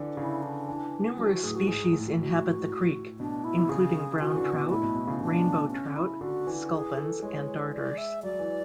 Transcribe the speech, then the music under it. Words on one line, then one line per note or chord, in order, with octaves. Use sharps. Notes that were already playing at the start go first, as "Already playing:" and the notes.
Numerous species inhabit the Creek including brown trout, rainbow trout, scuplins and darters.
Already playing: D3 E3
C#3 E4
D4
E3
F#3 D4
F#4
A2 G#4
F#4
G#2 G#4
A2
F#4
B2 D4
E4
C#3 G#4
E3 F#4
D3
B2
A2 E4
B2
B2
C#3
C#3 D4
C#4
E4
D3 F#4
E3
G#4
A4
G#3 C#5
D5
E5
F#3 D5
E3